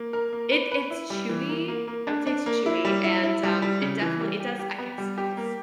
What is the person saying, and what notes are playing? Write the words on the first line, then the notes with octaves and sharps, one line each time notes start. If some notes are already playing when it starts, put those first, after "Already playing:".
It it's chewy. I would say it's chewy, and, um, it definitely it does I guess it has
Already playing: A#3
A#4
A#3
B4
B4
E4
G3
E3
A#3
A#3
A#3
D4
D4
A#3
E4
G3
E4
E4
G3
G3
C#3
E3
G3
G4
G4
B3
G3
G4
A#3